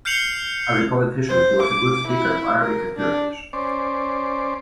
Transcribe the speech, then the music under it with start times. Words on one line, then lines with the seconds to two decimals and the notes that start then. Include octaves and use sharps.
As a politician he was a good speaker of Arabic and Turkish.
0.05 F6 G6 C7 C#7 F7 F#7
1.29 C5
1.62 D6
2.08 E4
2.60 A#4
2.97 D4
3.53 C#4 C5 D5